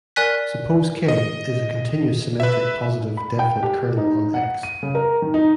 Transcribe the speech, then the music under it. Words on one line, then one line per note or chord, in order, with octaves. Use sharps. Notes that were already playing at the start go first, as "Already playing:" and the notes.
Suppose "K" is a continuous symmetric positive definite kernel on "X".
A#4 D5 G#5 F#6 B6
D#5
B4 E5
B5
G5
G4
D#4
F#5
D#7
C#3
A#4
D#3
D#4